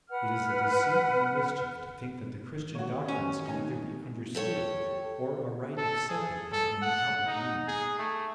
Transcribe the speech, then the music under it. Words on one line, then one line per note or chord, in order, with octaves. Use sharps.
It is a deceit and a mischief to think that the Christian doctrines can either be understood or aright accepted by any outward means.
B4 F#5 F6
A1 D#3 F#4 C#5
C#4
D#4 G#5
G4 A4 C#5
A4
G#4
A4
F#5
D#4
G#4
A3